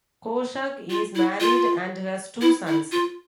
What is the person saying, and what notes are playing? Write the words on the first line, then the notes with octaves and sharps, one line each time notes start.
Kozak is married and has two sons.
F4
E4
F4
E4
E4
F4